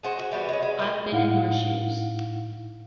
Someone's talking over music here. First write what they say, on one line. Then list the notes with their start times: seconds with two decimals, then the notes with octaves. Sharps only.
I’ve been in your shoes.
0.03 G#3 F#4 C5
0.19 F#4
0.32 E3 G3 B3 F#4
0.49 G#3 C#4
0.62 G#3 B3
0.79 A#2 A3
1.12 A2 D#4 E4 F5 F#5